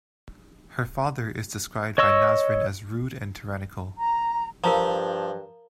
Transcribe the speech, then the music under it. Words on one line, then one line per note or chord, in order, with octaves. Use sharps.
Her father is described by Nasrin as rude and tyrannical.
C#5 D#5 C#6 E6
A#5
G2 F3 A#4 F5 A#5